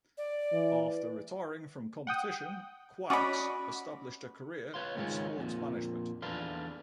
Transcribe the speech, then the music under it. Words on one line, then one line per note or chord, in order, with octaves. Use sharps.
After retiring from competition, Quax established a career in sports management.
D5
E3
F#5 G5 D#6
C#4 F#4 D5 D#5 B5
B4 C#5 F5 C6
C#2 G#2 D#3 G#3 F4 C#5
F2 A#2
E2 D4 A4 B4 F5 C6